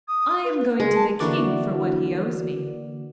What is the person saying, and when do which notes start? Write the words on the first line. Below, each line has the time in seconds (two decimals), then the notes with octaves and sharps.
'I am going to the King for what he owes me.'
0.08 D#6
0.44 B4
0.60 B4
0.80 G#3 A#4
0.95 A5
1.20 D3 E3 A#3 F#4 D5